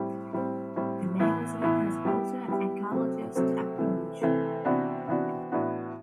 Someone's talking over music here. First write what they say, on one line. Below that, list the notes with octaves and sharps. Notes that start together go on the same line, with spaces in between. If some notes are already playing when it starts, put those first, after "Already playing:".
The magazine has also an ecologist approach.
Already playing: A2 G3 C4 G4
A2 G3 C4
A2 G3 C4
A2 E3 B3 E4
A2 E3 B3 E4
G3 B3 E4 G4
G3 B3 E4 G4
C3 F#3 A3 C4
C3 F#3 A3 C4
C3 E3 A3
C3 E3 A3
C3 E3 B3 D4 F#4
C3 E3 B3 D4 F#4
A2 E3 B3 D4 F#4